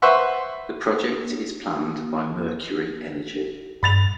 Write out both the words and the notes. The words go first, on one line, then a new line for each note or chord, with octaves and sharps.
The project is planned by Mercury Energy.
B4 C5 E5 F#5 C6 C#6
G2 B5 A6 F7